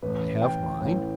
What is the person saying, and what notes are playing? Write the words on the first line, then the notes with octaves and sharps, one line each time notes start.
"I have mine."
A1 A2 E3 B4
G5
A1 A2 E3